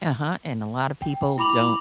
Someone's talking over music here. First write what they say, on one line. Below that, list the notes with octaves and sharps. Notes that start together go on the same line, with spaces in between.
Uh-huh, and a lotta people don't
G5
E4 B5 D6 F7 F#7